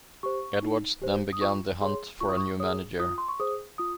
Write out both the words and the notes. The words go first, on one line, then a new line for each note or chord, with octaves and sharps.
Edwards then began the hunt for a new manager.
G4 C5 C#6
D#4
G4 C5
D#6
F4 C#6
G#4 C#5 C6
F4 C#6
D#6
C#6
G#4 C#5 D#6
F4 D#6
C6
C#6
G#4 C5 D#6
F4 D#6